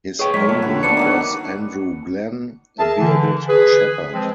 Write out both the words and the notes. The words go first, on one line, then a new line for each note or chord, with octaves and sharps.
His 'owner' was Andrew Glen, a bearded shepherd.
G#4 B4 C#5 D#5 G5 C#6
F#2 G#3 A#4 C#5 B6
F3 A3 A4 G5
A#2 D3 F#4 B5
B3 D4 A4 B4 D5 C#7
D#3 A#3 F#4
G#4 A#4 E5 A5
D3 E3
G#4 B4
F3 G#3 C4